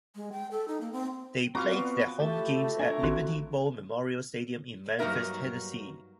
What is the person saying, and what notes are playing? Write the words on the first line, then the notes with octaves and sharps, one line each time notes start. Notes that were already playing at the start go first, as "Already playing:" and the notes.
They played their home games at Liberty Bowl Memorial Stadium in Memphis, Tennessee.
G#3
G5
A4
D#4
A#3
C4
C4 F4 F#4 B4 F5 A#5 D6 F6
B3 D5
A3 G4 A5
D4 A#4 C#5 G#5
A1 C4 F#4
G2 F#3 A#3 D#4 A#4 E5